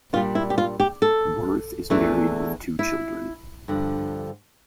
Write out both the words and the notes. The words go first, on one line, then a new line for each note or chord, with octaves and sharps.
Werth is married with two children.
A#2 G3 D4 F4
E4
G4
F4
G4
A4
E2 E3 A3 D4
E4
G2 D3 F3